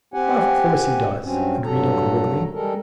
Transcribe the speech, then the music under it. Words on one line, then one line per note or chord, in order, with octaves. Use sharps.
"Of course he does," agreed Uncle Wiggily.
C4 G4 F#5 G#5
G2 F#3 C4 C#4
G2 F#3 A4 A#5
G3 G#3 A4 A#4